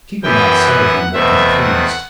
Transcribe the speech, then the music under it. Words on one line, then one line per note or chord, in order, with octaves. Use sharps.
People might say of him what they pleased.
F#2 E3 B3 G5
F#5
E2 B2 A3 C4 E5
F#5